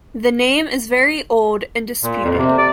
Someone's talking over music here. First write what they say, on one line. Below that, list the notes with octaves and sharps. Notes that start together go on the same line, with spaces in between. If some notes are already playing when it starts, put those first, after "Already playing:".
The name is very old and disputed.
A#2
F2
C3
D5